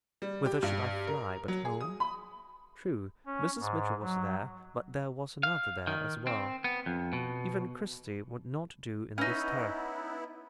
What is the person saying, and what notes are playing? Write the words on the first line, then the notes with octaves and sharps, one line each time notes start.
Whither should I fly but home? True, Mrs. Mitchell was there, but there was another there as well. Even Kirsty would not do in this terror.
G3
G4
G2
A#4
F#3
G#4
D#6
B5
C#4
G#2
F#3
F5
D#3
C4
B3
F2
B2
B3 C#4 D#4 E4